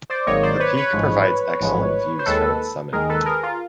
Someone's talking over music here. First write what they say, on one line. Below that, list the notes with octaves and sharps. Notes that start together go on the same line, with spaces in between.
The peak provides excellent views from its summit.
C5 D5
G#1 G#2 D#3 F#3 A#3 C#5 D#5
C5 D5
B4 C#5
B4 C#5
A1 G#2 F3 G#3
A1 G#2 F3 G#3
C5
D#2 D#3 G#3 A4 B4
D#2 D#3 G#3 G#4 A#4
A4 B4
G#4 A#4
F4